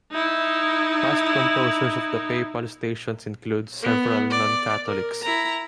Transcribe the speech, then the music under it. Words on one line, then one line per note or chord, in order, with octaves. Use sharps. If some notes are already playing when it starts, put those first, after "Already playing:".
Past composers of the Papal Stations include several non-Catholics.
D#4 E4
B3
D5
A#4
E4 A#5